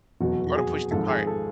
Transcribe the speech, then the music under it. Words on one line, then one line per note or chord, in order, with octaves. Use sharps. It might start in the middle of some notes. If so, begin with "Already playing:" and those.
You oughta push the cart.
F1 E2 B2 F#3 F#4
G#4
G#1 G#2 F3 A4
G#4
A4